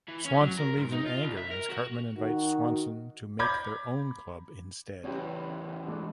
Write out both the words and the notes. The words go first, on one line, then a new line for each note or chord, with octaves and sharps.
Swanson leaves in anger as Cartman invites Swanson to make their own club instead.
E3
C#4
F#3
A#4
G#2
D#4
F4
C2
E5
A#4
F#4
D#3 F#4
A#5 B5 D6 G6 G#6
E2 A2 C#4 G4
G#3 A3 D4